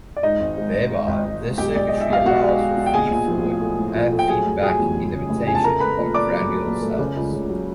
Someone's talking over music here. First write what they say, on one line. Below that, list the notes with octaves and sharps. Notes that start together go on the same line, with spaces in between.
Thereby this circuitry allows for feed-forward and feed-back inhibition of granule cells.
D5
G#2 D#4 D#5
G#1
G#2
G#2
G#2
G#1
G#1
G#2
B1 G4 G5
B1 D5
G#3 D#5
E5
B1 F5
B2 F#4 F#5
G#3
G#3
B2
G5
A#1 G#4 G#5
A#1
F3
A2
A3
A2
F3
A3
G5
F#3 G#4 G#5
F1
F#3 G#4 G#5
E2
F#3
C#3
F1
C#3 G#5
A5
A3 A#4 A#5
A3 B4 B5
A#2
A3 D5 D6
F#3
F#3
A#1
A3
C#3
C#2
C#3
F#3